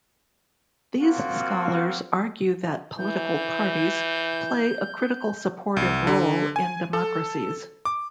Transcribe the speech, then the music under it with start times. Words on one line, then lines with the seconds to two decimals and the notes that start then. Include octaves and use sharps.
These scholars argue that political parties play a critical supportive role in democracies.
1.02 A#3 C4 F4 F#4
2.98 E3 G6
5.77 C2
6.07 D3
6.56 G#5
6.93 A4
7.85 D6